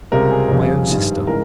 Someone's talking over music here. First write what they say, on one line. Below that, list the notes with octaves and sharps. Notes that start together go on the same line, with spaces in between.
From my own sister?
C#2 C3 G3 A#4
G#4
F1 F2 C#3 G3
G#1 G2 G3
C#3 E3 G#3 A#4